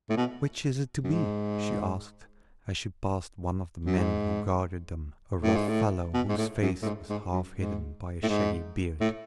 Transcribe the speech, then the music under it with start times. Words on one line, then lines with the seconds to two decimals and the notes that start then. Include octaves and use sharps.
"Which is it to be?" she asked, as she passed one of the men who guarded them, a rough fellow, whose face was half hidden by a shaggy beard.
0.10 A2
0.17 B2
1.04 F#2
1.13 G#2
3.86 F#2
3.98 G#2
5.43 A2
5.56 G#2
5.69 A2
6.14 B2
6.29 G#2
6.38 A2
6.62 F#2
6.82 A2
6.85 G#2
7.10 G#2
7.33 F#2
7.57 G#2
8.23 A2
8.29 G#2
9.01 A2